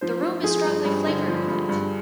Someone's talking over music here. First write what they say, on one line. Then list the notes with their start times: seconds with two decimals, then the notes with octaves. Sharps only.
The room is strongly flavoured with it.
0.01 F3 C5
0.23 F3
0.43 F3 G#4
0.65 G2
0.85 G2
1.06 D3
1.28 F3
1.48 G2
1.69 G2